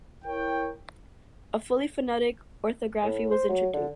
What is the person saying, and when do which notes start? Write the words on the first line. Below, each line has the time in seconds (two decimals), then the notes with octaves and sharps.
A fully phonetic orthography was introduced.
0.24 E4 A#4 C#5 G5
3.04 A2
3.31 C5
3.49 F#3
3.74 D3